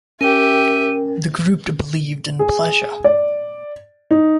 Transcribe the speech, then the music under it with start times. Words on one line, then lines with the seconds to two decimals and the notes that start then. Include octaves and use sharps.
The Group believed in pleasure ...
0.21 C#4 G4 A#4 E5 G5 D#7
2.39 G#4
3.04 D5
4.11 D#4